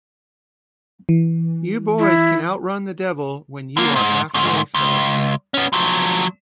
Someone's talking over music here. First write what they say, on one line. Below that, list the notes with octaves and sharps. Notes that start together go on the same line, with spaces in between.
You boys can out-run the devil when you are after a Fed.
E3
E4
D3 A#3
G#2
D2 G#2
C#2
B3 C#4
F3 F#3